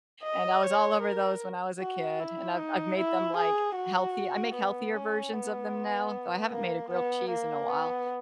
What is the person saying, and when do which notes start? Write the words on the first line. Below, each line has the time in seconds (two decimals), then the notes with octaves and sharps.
And I was all over those when I was a kid and I've I've made them like healthy. I make healthier versions of them now, though I haven't made a grilled cheese in a while.
0.23 D#5
0.63 C#5
1.02 A#4
1.80 F#4
2.20 E4
2.59 D#4
2.98 E4
3.37 G#4
3.76 F#4
4.55 B3
4.94 C#4
5.34 B3
6.51 A#3
6.90 B3
7.30 A#3
7.68 B3